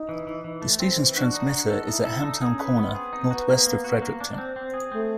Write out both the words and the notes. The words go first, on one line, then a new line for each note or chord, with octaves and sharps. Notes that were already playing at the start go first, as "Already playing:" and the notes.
The station's transmitter is at Hamtown Corner, north west of Fredericton.
Already playing: D#4
E3
E3
E3
A3
C4
E3
D4 F#4
D#4
F#4
D#4 A4
D#4 E4
E4 A4
D4 D#4
G#4
C#4
B4
B3 C4
G#4
D#4
B3 F#4
A#3
A#3
F#4
A#3
D4
C4
C4
G#4
A3 C4